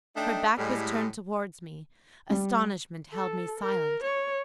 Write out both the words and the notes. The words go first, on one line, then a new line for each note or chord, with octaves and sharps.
Her back was turned towards me; astonishment held me silent.
A3 D4 D#4 G5
A2 G3 G#3
G3
A4
A#4
C#5